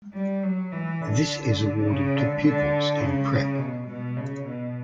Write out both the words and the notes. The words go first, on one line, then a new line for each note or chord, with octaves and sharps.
This is awarded to pupils in Prep.
G3
F#3
E3
D3
C#3
D3
D3
C#3
B2
B2
C#3
B2